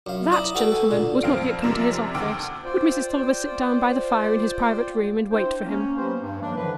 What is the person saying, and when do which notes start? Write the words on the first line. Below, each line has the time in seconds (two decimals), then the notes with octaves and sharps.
That gentleman was not yet come to his office; would Mrs. Tulliver sit down by the fire in his private room and wait for him?
0.07 F#2 F5
0.31 E4 D5 A#5 B5 D#6
0.55 F#4 A4 B4 F#5 G5
0.71 A4 G#5
0.91 A#2 D3
1.23 F2 C4 F5 D7
1.62 F#2 C3 F3 A#4 D5 E7
2.15 D2 G5 D6 E6 D7
2.64 F4 C5 D5 G5
5.31 D4 E4 C5 G5
5.65 A#3 C#4
5.97 F#3 A#3 B3 G4 B4 C5
6.22 G2
6.42 D#3 F3 F#3 G#3 A#3 D4
6.55 D3 D#3 F3 F#3 E4 B4